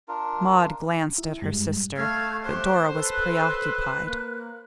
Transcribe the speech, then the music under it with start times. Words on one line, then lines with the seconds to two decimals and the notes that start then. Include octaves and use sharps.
Maud glanced at her sister, but Dora was preoccupied.
0.08 D4 F4 A#4
1.18 E4
1.42 G2 G3 G#3
1.96 A3 F5 E6 G#6
2.45 G4 C5 F#6
2.93 A4 B4 F#6
3.27 A4
4.05 A#3